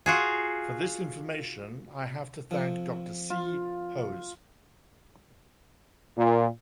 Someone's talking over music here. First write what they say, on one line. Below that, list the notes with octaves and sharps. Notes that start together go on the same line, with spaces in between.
For this information I have to thank Dr. C. Hose.
F4 F#4 G#4
F2 F3
F4
A#2